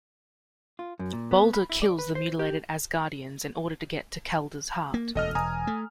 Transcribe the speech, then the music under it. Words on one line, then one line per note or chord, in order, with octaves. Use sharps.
Balder kills the mutilated Asgardians in order to get to Kelda's heart.
F4
F#2
A#2
B3
B5
E4
D5
B4
C5
G4
A#3
E1 D2 A4 D#5 F6
E1 G#5 A#5 D#6
A3